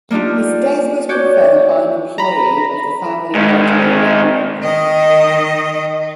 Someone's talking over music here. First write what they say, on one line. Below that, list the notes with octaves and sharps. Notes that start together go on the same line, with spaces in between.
His death was confirmed by an employee of the Family Radio Network.
A#3 D4 D#4 F4 G4
F#4 C#5 D5 G6
A#5 B5
G#2 D#3
D#3 D#5